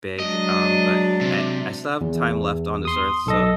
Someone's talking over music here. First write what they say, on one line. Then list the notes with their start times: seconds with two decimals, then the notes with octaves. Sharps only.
big, um, but I I still have time left on this earth, so,
0.20 F#3 G#3 D4 D#5
1.21 C3
2.01 E2
2.85 C6 D#6
3.26 B1 A4 D#5